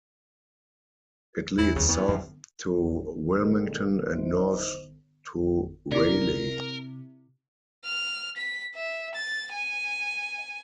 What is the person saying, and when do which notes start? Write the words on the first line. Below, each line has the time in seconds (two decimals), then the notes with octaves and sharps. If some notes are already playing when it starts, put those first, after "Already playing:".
It leads south to Wilmington and north to Raleigh.
1.58 E2 E4
1.76 D2 C#3 G3
1.89 E3 B3
2.08 F#2 F3
3.35 A#2 D3 D#3 G3 G#3
4.09 D#4 E4 C5
5.92 C3 E4 A#4 D5
7.84 F6
8.37 B6
8.75 E5
9.15 A6
9.52 G#5